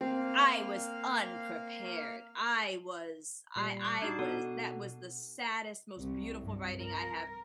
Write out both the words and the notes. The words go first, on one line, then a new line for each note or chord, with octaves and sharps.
I was unprepared, I was I I was that was the saddest, most beautiful writing I have
A#3 C4 F5
A#2 G3 C7
D6 F#6
D4 D#4 F#4
B2 A4 F#5
C2
G2
A#4